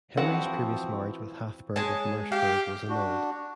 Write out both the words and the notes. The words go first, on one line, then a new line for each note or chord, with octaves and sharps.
Henry's previous marriage with Hatheburg of Merseburg was annulled.
E3 F3 C4 F#4 F#5
G#3 G#4 C#5 A5
G4 F5
D4 F#4